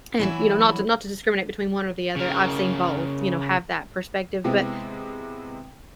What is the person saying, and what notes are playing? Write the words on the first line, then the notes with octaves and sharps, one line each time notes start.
and, you know, not to not to discriminate between one or the other, I've seen both, you know, have that perspective, but,
E3 F#3 E4
C#3 A#4
C3 G#3 B3 C4 E4